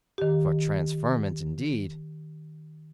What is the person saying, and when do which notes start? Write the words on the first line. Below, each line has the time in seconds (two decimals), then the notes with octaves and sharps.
For transferment, indeed!
0.18 D#3 G4